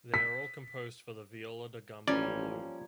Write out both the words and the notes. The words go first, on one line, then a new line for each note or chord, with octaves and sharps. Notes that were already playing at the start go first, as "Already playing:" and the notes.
They are all composed for the viola da gamba alone.
B6
A1 F3 G3 A#3 C#4 D5